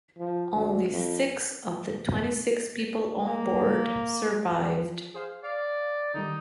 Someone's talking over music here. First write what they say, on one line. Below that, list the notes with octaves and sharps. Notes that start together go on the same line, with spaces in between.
Only six of the twenty-six people on board survived.
F3
D2
F2
A#3
F3
G#4 C5 F5
D5 F5
D3 D#3 G3 D#4